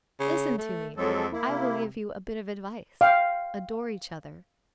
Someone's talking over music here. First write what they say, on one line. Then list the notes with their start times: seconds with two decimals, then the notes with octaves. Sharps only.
Listen to me; I will give you a bit of advice: Adore each other.
0.20 C#3
0.58 A3
0.97 F2 F#3 G#3 A4
1.32 A#3 E4
1.49 C3
3.01 F5 G5